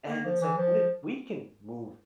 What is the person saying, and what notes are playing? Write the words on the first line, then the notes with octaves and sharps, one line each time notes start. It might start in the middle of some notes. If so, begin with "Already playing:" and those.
and it's like, "What if we can move"
A#3
F3
E3
F3